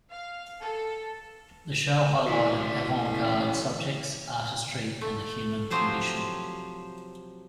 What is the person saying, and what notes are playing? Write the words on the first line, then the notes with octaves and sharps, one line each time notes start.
The show highlighted avant-garde subjects, artistry, and the human condition.
F5
A4
E3 A3
A3
C3 F3 F#3 C5